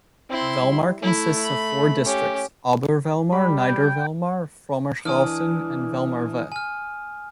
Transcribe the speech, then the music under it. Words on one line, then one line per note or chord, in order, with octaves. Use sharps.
Vellmar consists of four districts: Obervellmar, Niedervellmar, Frommershausen and Vellmar-West.
C4 E4 C6
G3
A3 E4
B5
C#4 G4
G3 B5
G5
E3 D4 G#5 D#6 F6
G#5 F6